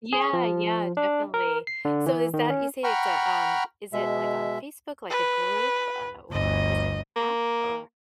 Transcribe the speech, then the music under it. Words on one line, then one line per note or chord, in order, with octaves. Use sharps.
Yeah, yeah, definitely. So, is that you say it's a, um, is it, like, on Facebook, like a group? Uh, or is it an app? Or
G#4
F3
D4
A#4
C7
D3
E3
D#3
C#4
F#5 G5 A#5 B5 C#6 F6
B2 G#3 E5
B4
G1 D2 D#5
A#3